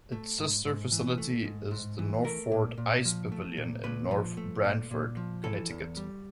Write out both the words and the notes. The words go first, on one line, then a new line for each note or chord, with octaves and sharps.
Its sister facility is the Northford Ice Pavilion in North Branford, Connecticut.
A3
G#2
G#2
E3
A3
G#2
G#2
E3
A3 A#4
A#2
A#2
F3
A3
A#2
A#2 B4
F3
A3
A#2
A#2
F3
E3 A4
E2
G3